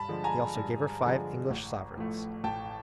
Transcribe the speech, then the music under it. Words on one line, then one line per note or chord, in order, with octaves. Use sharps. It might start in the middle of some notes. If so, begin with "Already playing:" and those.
He also gave her five English sovereigns.
Already playing: G2 A5 B5
D3 F3 G#3
G#5 A#5
G2
D3 F3 G#3
A1
A2 F3 A3
A1 G5 A5